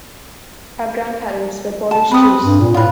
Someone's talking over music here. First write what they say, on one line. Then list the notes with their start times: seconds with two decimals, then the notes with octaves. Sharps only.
Her grandparents were Polish Jews.
1.91 A5
2.11 C4 B4 D#6
2.45 G2
2.60 A#2
2.74 A2 F4 B4